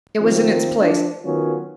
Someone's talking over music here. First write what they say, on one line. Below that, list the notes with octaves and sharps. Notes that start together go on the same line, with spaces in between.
It was in its place.
D#3 F3 A#3 C4
F3 D4
D#3 F#3 B3 C#4 F4